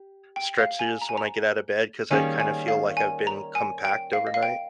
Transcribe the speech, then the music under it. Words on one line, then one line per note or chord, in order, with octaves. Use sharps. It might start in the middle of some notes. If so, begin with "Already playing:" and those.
stretches when I get out of bed 'cause I kinda feel like I've been compact overnight.
Already playing: G4
G5
F5
G#5
A#5
G#5
A#5
D#3 G3 A#3 C#4 G#4 G#5
G#5
F5
G#5
A#5
G#5
G5
F5
D#5
F5
G5